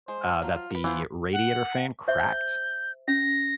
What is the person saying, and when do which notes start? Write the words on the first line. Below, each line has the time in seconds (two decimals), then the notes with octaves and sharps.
uh, that the radiator fan cracked,
0.08 G#3 C5
0.42 F3 F#3 F4
0.70 A#4 B4
0.84 E3 B3 F4 B4 C5
1.33 F#5
2.08 C5 E5 G6
3.08 C#4 A#6